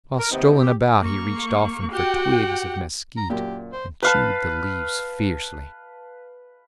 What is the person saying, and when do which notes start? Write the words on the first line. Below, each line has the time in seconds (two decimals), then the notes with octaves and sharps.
While strolling about he reached often for twigs of mesquite and chewed the leaves fiercely.
0.18 A#4
0.31 D#2 C3 B3 C4 D#4
0.60 G4
1.00 A#3 C#6
1.92 F#4 G4 F#5 G5
3.17 A#5
3.30 F#2 A#2 G4
3.73 C5
4.03 B4 F5 A5